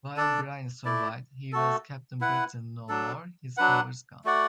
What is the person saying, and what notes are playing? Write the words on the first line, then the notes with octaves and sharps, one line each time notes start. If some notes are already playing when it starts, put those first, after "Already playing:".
While Brian survived, he was Captain Britain no more, his powers gone.
D4 A4 D5
A3 E4 D5
A3 F#4 A4
E4 B4 F#5
F#3 D4 A4
F#3 D4 B4 F#5
A3 F#4 D5 F#5